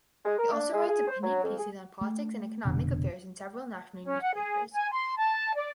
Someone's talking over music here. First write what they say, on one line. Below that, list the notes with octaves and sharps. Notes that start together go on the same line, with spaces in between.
He also writes opinion pieces on politics and economic affairs in several national newspapers.
G#3
A#4
D4
G#3
G#4
C5
F#3
F2
G#4
A3
F1 B2 D3
C#4
F#5
G#4
G#5
C6
A5
D5